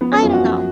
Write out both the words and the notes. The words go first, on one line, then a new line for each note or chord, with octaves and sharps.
I don't know.
F3 B3
C#4
F#2 F4
F#4
F3